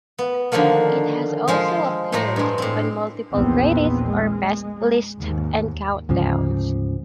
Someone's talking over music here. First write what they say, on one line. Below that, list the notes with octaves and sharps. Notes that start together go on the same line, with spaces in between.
It has also appeared on multiple "greatest" or "best" lists and countdowns.
B3
D3 D#3 F3 A3 A#3
F3 G#3 F4 C5
A2 G3 A3 C5 A#5 C6
G2 G#3
A2 C4
A#1 E2 B3 C4
G#3
D#2 G#2
D2 G#2 C#3 F3